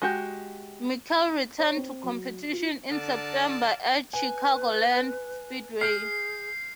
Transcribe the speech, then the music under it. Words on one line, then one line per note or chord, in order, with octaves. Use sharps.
McClure returned to competition in September at Chicagoland Speedway.
G#3 F#4 G4
C#5
C4
F#3
F4
D3 A#4 D5 A5
B4 G#5
G#4 F6 G6 C7